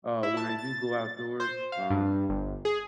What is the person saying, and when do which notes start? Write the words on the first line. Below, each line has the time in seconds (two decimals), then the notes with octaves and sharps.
uh, when I do go outdoors, um,
0.23 E4
0.37 A5
0.58 A6
1.40 C5
1.72 F5
1.90 G2
2.29 G1
2.65 G#4